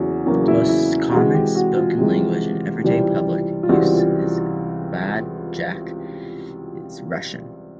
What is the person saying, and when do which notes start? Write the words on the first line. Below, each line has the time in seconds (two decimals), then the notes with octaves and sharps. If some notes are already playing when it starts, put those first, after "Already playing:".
The most common spoken language in everyday public use in Budjak is Russian.
Already playing: E2 C#3 F#3 A#3 C#4 F#4
0.26 E2 C#3 F#3 A#3 C#4
0.48 E4
0.69 E4
1.11 C3 E3 G#3 F#4
1.34 G4
1.55 F#4
1.76 F4
1.97 C3 E3 G#3
2.84 C#2 C3 E3 G3 C4
3.63 F4
3.69 C#2 C3 E3 G3 C4 F#4